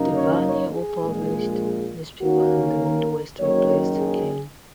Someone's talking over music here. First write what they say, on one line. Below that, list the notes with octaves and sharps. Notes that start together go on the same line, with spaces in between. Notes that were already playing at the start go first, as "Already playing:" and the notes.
DeVany, who published newspapers in the Midwest, replaced Cain.
Already playing: F#2 C#3 A#3 D#4
C#5
C#5
G#4
A#1 A#2 G#3
D#2 D#3 A#3 C#4 F#4
A#4
F#1 F#2 D#3 F#3 A#3 C#5
G#4